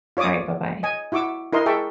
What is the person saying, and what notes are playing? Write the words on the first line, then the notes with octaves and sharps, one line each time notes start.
Alright, bye-bye.
F4 C#5 D5 D6 D#6
D#5 G#5
E4 F#4 C#6 D6 E6
E4 A#4 D#5 C6
G#4 E5 G5 A5 C#6